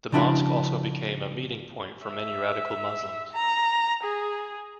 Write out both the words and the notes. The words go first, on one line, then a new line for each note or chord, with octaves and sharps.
The mosque also became a meeting point for many radical Muslims.
C#3 F3 D4 E4 F#4 B5
E5
A#5
G#4